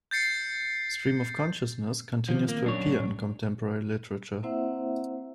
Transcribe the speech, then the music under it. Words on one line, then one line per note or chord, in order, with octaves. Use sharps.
Stream of consciousness continues to appear in contemporary literature.
G6 A6 C7 C#7
D#3 F3 C4
A#3
F#2 D4 C#5
B1 A2
A#3 C4 E4 C5 E5 F#5